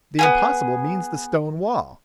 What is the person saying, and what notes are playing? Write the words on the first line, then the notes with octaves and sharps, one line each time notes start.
The impossible means the stone wall!
B3 F4 G#4